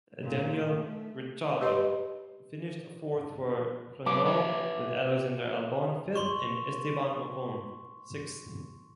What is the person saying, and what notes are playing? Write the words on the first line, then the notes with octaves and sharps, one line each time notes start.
Daniel Ricciardo finished fourth for Renault with Alexander Albon fifth and Esteban Ocon sixth.
A#2
A3
G4 B4 C#5 D#5 C6
F#3 B4 C#5 D6
B4 C#5 E5
C6 C#6